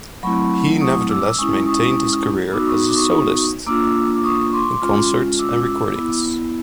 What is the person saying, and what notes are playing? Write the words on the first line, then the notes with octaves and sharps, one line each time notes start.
He nevertheless maintained his career as a soloist in concerts and recordings.
F#3 A3 C4 E4 B5 C#6
C#6 D#6
D6 E6
E6
G#3 C#4 E4 C#6 D#6
C#6 D#6
B3 D#4 F#4 D6 E6
C#6 D#6
D6
C#6 D#6
A#3 D4 F4 D6 E6
D6
C#6 D#6
C#6
C6 D6
G#3 C#4 F4
D6 E6
B3 E4